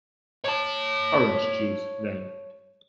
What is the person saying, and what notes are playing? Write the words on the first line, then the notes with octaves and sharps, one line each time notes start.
Orange juice, then.
C#5 A5